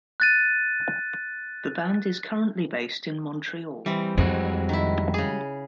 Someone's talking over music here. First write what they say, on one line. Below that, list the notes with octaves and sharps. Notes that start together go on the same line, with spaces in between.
The band is currently based in Montreal.
F#6 A6 D#7
E3 G3 C4
F2 G3 G#3 F#4
D#3 E4
C#3 G#4